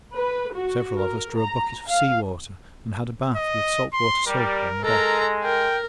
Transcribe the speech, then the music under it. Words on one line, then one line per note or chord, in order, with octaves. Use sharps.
Several of us drew a bucket of sea water and had a bath with salt water soap on the deck.
B4
F#4
A#4
A#5
F5
D#5
C6
G3 A#4
G#3 A4 A#4 A#5
A#4 G5